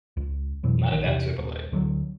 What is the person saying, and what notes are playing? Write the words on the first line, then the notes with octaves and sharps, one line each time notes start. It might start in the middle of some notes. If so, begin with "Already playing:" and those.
Not adapt to, but like
C#2
F2 B2 E3 F#3
A#1 D#3
E2 C3
D#1
D2 D3 F3 F#3